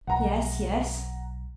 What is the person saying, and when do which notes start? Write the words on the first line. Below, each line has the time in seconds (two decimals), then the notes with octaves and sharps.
"Yes, yes!"
0.07 B1 F#5 A#5